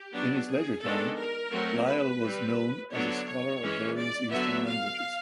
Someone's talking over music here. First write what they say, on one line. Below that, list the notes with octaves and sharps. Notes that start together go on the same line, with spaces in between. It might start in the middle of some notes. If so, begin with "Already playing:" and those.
In his leisure time Lyall was known as a scholar of various Eastern languages.
Already playing: G4
F#3 B3 D4
G#4
D#3 G#3 B3 D4 A4
A#4
F#3 A3 C4
B4
G3 C4
D3 F#3 B3 D4 C#5
C#5
E3 G#3 C#4
D5
D3 F#3 B3 E5
F5